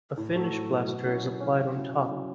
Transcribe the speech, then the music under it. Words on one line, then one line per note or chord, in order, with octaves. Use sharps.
A finish plaster is applied on top.
A2
F#3 A3
A2
F#3 A3
B2
F#3 C#4 E4
B2
F#3 C#4 E4
C#3
F#3 C#4 E4
C#3
F#3 C#4 E4